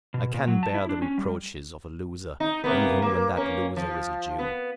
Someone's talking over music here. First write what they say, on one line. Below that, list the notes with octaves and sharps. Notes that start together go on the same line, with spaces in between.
I can bear the reproaches of a loser, even when that loser is a Jew.
B2
A#2
F#3
A5
E4
D4
C#4
G3
D#4
C3 A#3 B3
A#3
A#3 C#4
F3
B3